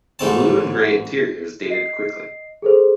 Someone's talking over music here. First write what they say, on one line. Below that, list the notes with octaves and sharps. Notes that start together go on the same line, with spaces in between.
The blue and grey interiors dated quickly.
A1 G#2 C4 A5
D#5 C7
G#4 A4 C5